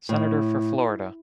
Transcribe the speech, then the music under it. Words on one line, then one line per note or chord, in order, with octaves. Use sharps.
Senator for Florida.
A2